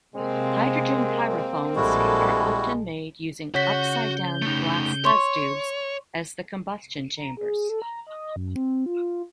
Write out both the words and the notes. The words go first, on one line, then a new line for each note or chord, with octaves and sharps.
Hydrogen pyrophones are often made using upside-down glass test tubes as the combustion chambers.
C3 G#3 A#3 C4 A#4
A#1 G3 G#3 E4 F#4 A4
C#3 F#4 C#5 F#5 G6 B6
A3 D#4
C#5 C6 C#6
A#5
G#4
A4
A#5
D#5
F#2
C4
F4